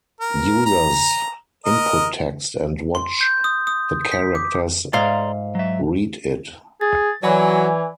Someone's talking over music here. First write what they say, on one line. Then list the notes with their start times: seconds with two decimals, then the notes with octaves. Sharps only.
Users input text and watch the characters read it.
0.20 A#4
0.65 A#5
1.65 A#4 D#5
2.95 C6
3.21 G6
3.44 D#6
3.67 D#6
4.12 B6
4.35 D6
4.93 G#2 D5 F5 A#5 C6
5.55 F#3 E5
6.81 G#4 A6
7.23 E3 F#3 D5 G#5 B5